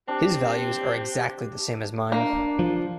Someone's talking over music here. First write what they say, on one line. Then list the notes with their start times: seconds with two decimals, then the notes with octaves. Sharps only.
His values are exactly the same as mine.
0.08 C4 D4 G4
2.12 A#3 D4
2.59 F3